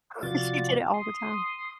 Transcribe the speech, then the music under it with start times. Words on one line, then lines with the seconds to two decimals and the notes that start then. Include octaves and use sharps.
Well, she did it all the time.
0.23 C3 F3 F4 F#4 D5 A6
0.94 C6 D#6